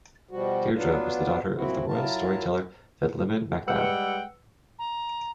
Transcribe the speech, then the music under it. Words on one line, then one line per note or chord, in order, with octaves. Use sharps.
Deirdre was the daughter of the royal storyteller Fedlimid mac Daill.
B2 F3 G3 F#4
F#3 B3 D4 F4
F#2 A#2 F3 C4 E4 F#4
F#3 E4 F4 A#4 A5
G3 G#3 B4 F#5 G5 E6 C#7
A#5